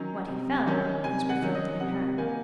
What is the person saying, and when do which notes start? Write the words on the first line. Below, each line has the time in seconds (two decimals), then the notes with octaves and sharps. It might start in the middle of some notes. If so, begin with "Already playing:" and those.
What he felt was reflected in her.
Already playing: D#3 F#3 C#4 A#5
0.27 C3
0.66 D#3 F#3 C#4
1.03 C3 G#5
1.29 F#5
1.42 D#3 F#3 C#4
1.55 D#5
1.80 C3 F#5
2.18 D#3 A#3 G#5